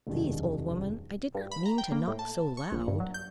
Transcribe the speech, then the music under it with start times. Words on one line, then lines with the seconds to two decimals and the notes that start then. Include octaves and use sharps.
"Please, old woman, I did not mean to knock so loud."
0.07 E1 C2 F#2 D#3
1.35 G2
1.51 B5
1.66 A#5
1.78 G5
1.92 A#3
2.08 A2
2.19 A5
2.57 C#6
2.72 A#1
2.87 G2
3.00 F#3
3.14 G6